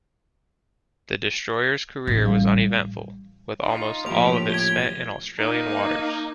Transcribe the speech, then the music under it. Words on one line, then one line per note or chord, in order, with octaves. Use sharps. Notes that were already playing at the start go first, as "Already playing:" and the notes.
The destroyer's career was uneventful, with almost all of it spent in Australian waters.
A1
G3
D#4 F4
A2 F3 A#3 G4 F7
G#6 G7
A#3 D#4